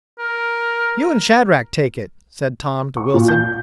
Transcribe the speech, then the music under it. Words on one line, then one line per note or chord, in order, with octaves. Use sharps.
"You and Shadrack take it," said Tom to Wilson.
A#4
C#6
A#2
G6